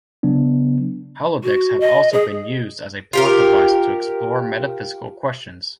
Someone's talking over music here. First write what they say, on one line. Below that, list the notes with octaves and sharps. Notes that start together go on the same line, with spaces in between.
Holodecks have also been used as a plot device to explore metaphysical questions.
C#3 F#3 B3 D4
F#4
D#5
G#4
F4 G4 A#4